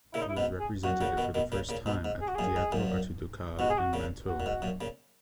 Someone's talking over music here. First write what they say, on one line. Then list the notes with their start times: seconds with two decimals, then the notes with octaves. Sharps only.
He was represented for the first time at the Teatro Arciducale in Mantoue.
0.14 A#2 C#3 E4
0.21 D#4
0.29 E4
0.37 G#2 B2
0.60 G#4
0.84 F#2 A#2 F#4
1.01 A#2 C#3
1.17 B2 D#3
1.34 B2 D#3
1.52 A#2 C#3
1.69 A#2 C#3
1.86 G#2 B2
2.05 G#2
2.21 G#4
2.28 F#4
2.35 F#2 A#2 G#4
2.56 G#2
2.72 F#2 A#2
3.59 G#2 B2 F#4
3.70 G#4
3.78 F#4
3.93 A#2 C#3
4.28 F#4
4.40 A#2
4.46 G#2
4.62 F#2 A#2
4.81 A#2 C#3